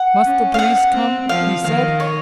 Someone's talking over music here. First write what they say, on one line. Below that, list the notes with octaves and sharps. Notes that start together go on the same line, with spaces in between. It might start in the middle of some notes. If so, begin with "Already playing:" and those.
"Must the police come?" he said.
Already playing: F#5
C#4
F5
F#5
C4
F3 F5
D#3 F5
C#5